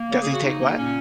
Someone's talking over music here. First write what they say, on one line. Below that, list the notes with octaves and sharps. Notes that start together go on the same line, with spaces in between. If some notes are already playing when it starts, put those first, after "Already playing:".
Does he take what?
Already playing: A#3
C#3 C#5
G#4
C#3
F#4
A#3 D#4
A#3
A#2 C#4